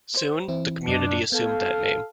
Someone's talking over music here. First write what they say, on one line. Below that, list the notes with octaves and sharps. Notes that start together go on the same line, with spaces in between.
Soon, the community assumed that name.
C5
E3 C4 E4
F#2 C3 D4 D#5
B3 A4 F5 G6 G#6